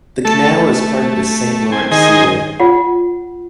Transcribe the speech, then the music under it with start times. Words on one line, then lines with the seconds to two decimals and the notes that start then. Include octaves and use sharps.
The canal is part of the Saint Lawrence Seaway.
0.25 A3 A4
0.59 A3
1.72 C4 G#5
1.91 D#3 G#4 C5 D#5 G#5
2.60 F4 F#5